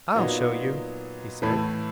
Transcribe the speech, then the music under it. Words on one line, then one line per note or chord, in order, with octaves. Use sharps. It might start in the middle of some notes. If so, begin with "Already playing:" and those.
"I'll show you," he said.
A#2 F#3 B3 D#4
A2 E3 A3